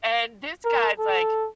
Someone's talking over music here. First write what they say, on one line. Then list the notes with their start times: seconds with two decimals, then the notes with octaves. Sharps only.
and this guy's, like,
0.65 A#4
0.99 A4